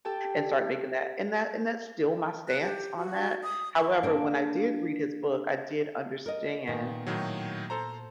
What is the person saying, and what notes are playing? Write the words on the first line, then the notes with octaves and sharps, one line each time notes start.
and start making that And that and that's still my stance on that. However, when I did read his book, I did understand,
G4 A4 G5 A5
F#6
G4
F#4
D#6
C#6
A#3 D4
A#4 D#5
A#2 D#3 B3
A2 D#3 F#3
A4 C5 A#5